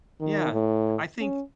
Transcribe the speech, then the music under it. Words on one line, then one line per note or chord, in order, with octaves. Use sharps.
Yeah. I think
D#3
A2
C#4